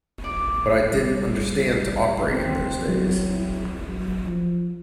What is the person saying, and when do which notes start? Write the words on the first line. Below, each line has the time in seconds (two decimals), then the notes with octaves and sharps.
But I didn't understand to operate in those days.
0.24 D5
0.93 G3
2.34 C4
2.89 F#3
3.32 E4
3.88 F#3
4.26 F3